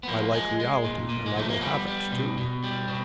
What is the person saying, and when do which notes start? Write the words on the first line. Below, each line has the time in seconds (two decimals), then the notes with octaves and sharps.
I like reality, and I will have it too.
0.03 B3
0.08 F3 A#3
0.33 G#3
0.60 G#3
0.84 A#2
1.10 A#2
1.26 G#3
1.36 F3 A3
1.49 A#3
1.61 G3 B3
1.87 G3
2.12 B2
2.37 B2
2.64 G3
2.88 B2